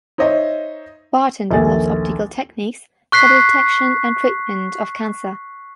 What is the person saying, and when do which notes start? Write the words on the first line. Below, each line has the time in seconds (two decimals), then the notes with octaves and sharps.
Barton develops optical techniques for the detection and treatment of cancer.
0.18 D#4 C5 C#5 D#5 E5
1.51 A#1 D#2 A4 G#5 A6
3.12 C#6 F#6 B6 C7